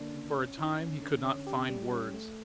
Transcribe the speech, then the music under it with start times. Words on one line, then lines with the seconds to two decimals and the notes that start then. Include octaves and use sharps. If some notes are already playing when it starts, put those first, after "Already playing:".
For a time he could not find words.
Already playing: D3 A#3 D4
0.12 C#3
0.35 C#4
0.57 E4
0.80 C#4
1.02 D3
1.24 C#4
1.47 G4
1.69 G3
1.92 C#4
2.14 A3